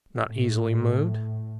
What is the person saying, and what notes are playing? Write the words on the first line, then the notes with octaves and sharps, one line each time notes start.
"Not easily moved?"
A2